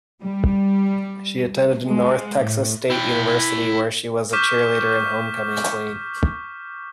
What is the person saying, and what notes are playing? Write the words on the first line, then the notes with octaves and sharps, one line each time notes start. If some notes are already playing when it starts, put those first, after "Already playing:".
She attended North Texas State University where she was a cheerleader and Homecoming Queen.
G3
G#3
A2
E4 G5
C#6 D6 F6 G6 B6 E7